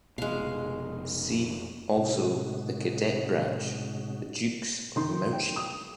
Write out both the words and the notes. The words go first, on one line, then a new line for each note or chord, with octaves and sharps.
See also the cadet branch, the Dukes of Mouchy.
F1 B2 G#3 F5
A2 C3 G#3 C#4 D#4 F#4
D#3 C6
G5
D#6